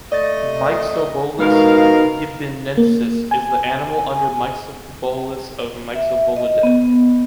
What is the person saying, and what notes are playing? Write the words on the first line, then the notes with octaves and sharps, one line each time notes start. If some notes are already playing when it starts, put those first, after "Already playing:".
Myxobolus yibinensis is the animal under Myxobolus of Myxobolidae.
A3 D5 D#5 A6
B2 G#3 D#4 A#4 F5 B5
A#3
G#5
E5
D#5
B3